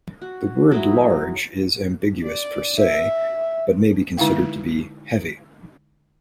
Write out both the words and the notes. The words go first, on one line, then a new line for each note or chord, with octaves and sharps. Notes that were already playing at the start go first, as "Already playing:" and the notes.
The word "large" is ambiguous per se, but may be considered to be "heavy".
F#4
F#3 G#3 D#4 E4
D5
E5
D3 G#3 D#4 E4 F5 G5